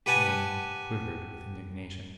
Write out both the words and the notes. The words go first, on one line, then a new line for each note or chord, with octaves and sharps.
Helen quivered with indignation.
G4 B4 F#5 G#5 A5